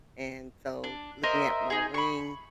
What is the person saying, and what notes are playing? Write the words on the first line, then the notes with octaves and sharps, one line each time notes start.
and so, looking at my ring
D4
A#4 C5 D#5 E5
D#4 G#4
B5 C#6